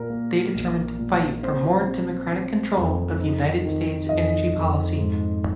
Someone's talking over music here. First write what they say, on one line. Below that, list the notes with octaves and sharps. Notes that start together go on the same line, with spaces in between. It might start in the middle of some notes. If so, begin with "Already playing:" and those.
They determined to fight for more democratic control of United States energy policy.
Already playing: A#2 A#4
A#3
A#1
A#2
C4 C5
C4
C4
F2
D#4
D#3
F2 D#5
F2
G#2